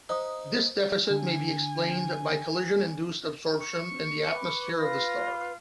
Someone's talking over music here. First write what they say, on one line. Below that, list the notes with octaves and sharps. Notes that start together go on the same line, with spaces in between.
This deficit may be explained by collision-induced absorption in the atmosphere of the star.
D#4 C5 F5 D#6
D3 G#5
C#6
B4 D6
F4 A#6